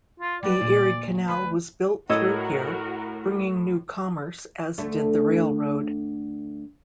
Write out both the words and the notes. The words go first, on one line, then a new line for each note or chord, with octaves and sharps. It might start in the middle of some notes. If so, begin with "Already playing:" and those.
The Erie Canal was built through here, bringing new commerce, as did the railroad.
F4
G3 F#4 B4 D5
D2 A#2
D2 B4
A2 F#4 A4 A#4 C#5 D#5 E6 G#6
D2 A3